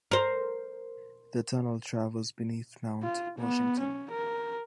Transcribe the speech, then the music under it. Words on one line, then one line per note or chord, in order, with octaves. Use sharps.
The tunnel travels beneath Mount Washington.
A#4 C5
F4
B3
C#4
A#4